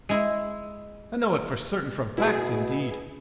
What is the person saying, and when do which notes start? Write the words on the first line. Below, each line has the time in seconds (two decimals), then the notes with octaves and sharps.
I know it for certain from facts, indeed.
0.09 G#3 E4
2.18 B2 E4 G#4